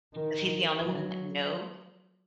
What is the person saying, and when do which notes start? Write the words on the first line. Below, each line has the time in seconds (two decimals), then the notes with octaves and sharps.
'cause he's the only one that knows,
0.13 D#3
0.82 F#3